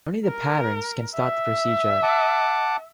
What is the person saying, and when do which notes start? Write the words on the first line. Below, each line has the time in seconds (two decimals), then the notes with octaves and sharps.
Only the parents can start the procedure.
0.27 A#4
1.15 E5
2.03 F#5 A5 D6